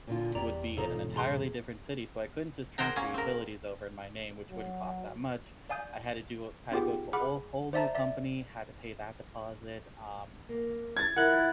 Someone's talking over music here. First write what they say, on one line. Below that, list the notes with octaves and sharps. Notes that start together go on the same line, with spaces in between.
would be in an entirely different city, so, I couldn't just transfer utilities over in my name, which wouldn't cost that much. I had to do a had to go to a whole new company, had to pay that deposit, um,
A#2 D3 F4
E2 G4 D5 A#5
E1 G#2 C3 D#4 F4 A4 C#5 A#5
G#4 A#5 C6
G#4 A#4 C5 F#5 G5 A#5
A#3 C#4 G#4
C4 A#4
F#3
D5 F5 G#5 D#6 G6
B3 D#4 F4 G4 G#4 G5
G#4 F#5 B5 D6 F6
C5 D5 E5 A5 A#5
D5 E5
A#3
E4 G#6 A6
D#3 F3 E4 A#4 F#5 F#6